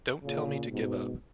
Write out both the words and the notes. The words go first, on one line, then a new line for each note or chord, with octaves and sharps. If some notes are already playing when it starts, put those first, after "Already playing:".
Don't tell me to give up.
A#2 C#3
G#2 B2